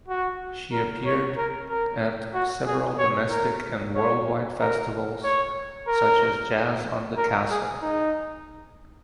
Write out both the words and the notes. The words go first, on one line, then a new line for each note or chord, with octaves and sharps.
She appeared at several domestic and worldwide festivals such as "Jazz on the Castle".
F#4
A#4
C#5
A#4
A#4
F#4
G#4
C#5
A#4
C#5
A#4
C#5
A#4
A#4
G#4
D#4